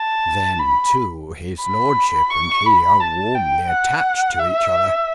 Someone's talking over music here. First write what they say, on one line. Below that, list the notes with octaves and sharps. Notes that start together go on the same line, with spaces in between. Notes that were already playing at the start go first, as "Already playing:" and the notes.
Then, too, his lordship and he are warmly attached to each other.
Already playing: A5
B5
B5
C#6
B5
A5
G5
F#5
E5